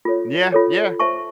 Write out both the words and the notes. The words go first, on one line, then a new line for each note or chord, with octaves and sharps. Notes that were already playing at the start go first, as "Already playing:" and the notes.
Yeah, yeah.
F4 A4 C#5
F4 A4 C#5
C5 E5 A5 C#6